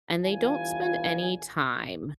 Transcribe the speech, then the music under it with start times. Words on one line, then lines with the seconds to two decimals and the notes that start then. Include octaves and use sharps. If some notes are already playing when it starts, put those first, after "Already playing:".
and they don't spend any time
0.24 G1 E3 G3 F4 G#5